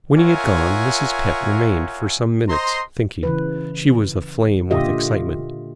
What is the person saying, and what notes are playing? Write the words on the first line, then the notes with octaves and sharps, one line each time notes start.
When he had gone, Mrs. Pett remained for some minutes, thinking. She was aflame with excitement.
F4 A#4 C#5 E5 F#5 G#5
C5 D#5 A#5 C6
C#3 E3 B4
A#2 D3 F4 G4 D#5 E5